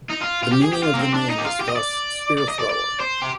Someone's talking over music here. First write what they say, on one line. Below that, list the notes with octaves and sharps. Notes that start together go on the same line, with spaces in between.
The meaning of the name is thus 'spear thrower'.
D#4
F4
F4
G4
G#4
G4
F4
A#3
C4
D4
D#4
G4
F4
G4
D#5
D5
D5
D#5
D5
D5
C5
G4